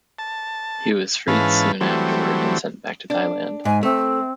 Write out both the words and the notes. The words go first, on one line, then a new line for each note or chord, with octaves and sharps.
He was freed soon afterward and sent back to Thailand.
A5
G#2 E3 C#4 B4 F5 A5
E3 F#3 G3 A3 C4
D4
G#2 G#5
A3 C4